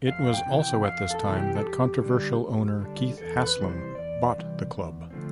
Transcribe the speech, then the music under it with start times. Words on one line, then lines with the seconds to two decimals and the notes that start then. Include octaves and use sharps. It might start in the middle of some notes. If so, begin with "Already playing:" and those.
It was also at this time that controversial owner Keith Haslam bought the club.
0.07 F2 F5
0.34 G5
0.46 C3 E3
0.59 G5
0.85 F2 F5
1.11 A4
1.23 C3 E3
1.37 G4
1.55 A4
1.62 F2 G4
2.02 D3 G3 D4
2.40 F2
2.79 D3 G3 D4
3.18 E2 A4
3.43 B4
3.56 C3 E3 G3
3.68 C5
3.94 E2 D5
4.34 C3 E3 G3
4.72 E2
5.10 D3 F3 A3 C4